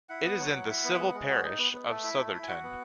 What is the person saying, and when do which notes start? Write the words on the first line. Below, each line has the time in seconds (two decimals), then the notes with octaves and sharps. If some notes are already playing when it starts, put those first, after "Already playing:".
It is in the civil parish of Sotherton.
0.09 E4 F#5
0.25 B3
0.39 F#3
0.54 F#3
0.68 E4
0.84 B3
0.99 G#3
1.14 G#3
1.29 F#4
1.44 D#4
1.58 B3
1.73 B3
1.89 A3
2.04 E4
2.18 A3
2.33 E4
2.43 G#5
2.48 F#4 F#5
2.63 B3